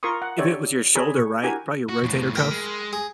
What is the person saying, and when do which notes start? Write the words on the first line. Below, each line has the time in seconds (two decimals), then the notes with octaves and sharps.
If it was your shoulder, right? Probably your rotator cuff.
0.03 F4 A#4 C6 C#6 D#6
0.22 F#5
0.38 D4 G4 C#5 D5 E5
0.95 G#4 C#5 D5 A#5 B5
1.16 C#6
1.43 D4 E4 F#4 G4 A#4 G#5
1.89 F#4
2.03 F2 A2
2.35 A#4 G5 B5
2.51 G#3
2.93 G#4